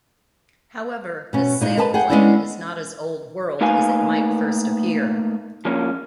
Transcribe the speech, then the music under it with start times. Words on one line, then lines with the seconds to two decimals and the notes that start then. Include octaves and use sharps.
However, this sail plan is not as old-world as it might first appear.
1.33 B2 C#4
1.61 A#2 G#3 D#4
1.77 A#4 B4 D#5 A5
1.94 G#4 F#5 G5
2.10 G#3 A3 B3 C#4 D4 E4
3.61 A3 A#3 D#4 B4 F5 G#5
5.65 F3 A#3 C#4